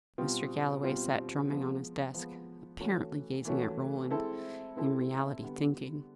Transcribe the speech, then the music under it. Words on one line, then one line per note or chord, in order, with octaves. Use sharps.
Mr. Galloway sat drumming on his desk, apparently gazing at Roland; in reality thinking.
B2 G3 C4 F4
B2 G3 C4 F4
F3 G#3 B3
F3 G#3 B3
E3 A3 C#4 F#4
E3 A3 C#4 F#4
G#3 C4 E4 A4
G#3 C4 E4 A4
D3 G3 B3